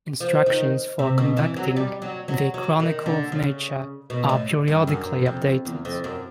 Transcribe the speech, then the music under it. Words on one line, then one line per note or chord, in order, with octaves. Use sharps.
Instructions for conducting the Chronicle of Nature are periodically updated.
F3
D#3
C3
B2
E3
F#3
G3
F#3
F#3
F#3
D#3
D3
C#3
B2
A2
G2
F#2
F2
E2
F2
F#2